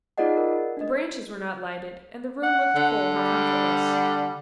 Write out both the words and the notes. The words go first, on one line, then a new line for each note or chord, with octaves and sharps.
The branches were not lighted, and the room looked cold and comfortless.
D#4 F4 G#4 D5 D#5 F#5
A#4 F#5
D4 D#5
F#5
D3
G3